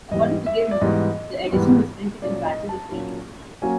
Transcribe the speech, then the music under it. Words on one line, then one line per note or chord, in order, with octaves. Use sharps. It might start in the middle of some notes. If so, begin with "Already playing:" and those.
According to Gilmour, the edition was printed in batches of eight.
G#2 E3 G3 B3 D#5
E5
D5
G#2 E3 G3 B3 D#5
G#2 E3 G3 B3
A#2 F#3 A#3 C#4 D5
D#5
A5
A#2 F#3 A#3 C#4
F#3 A#3 C#4 G#5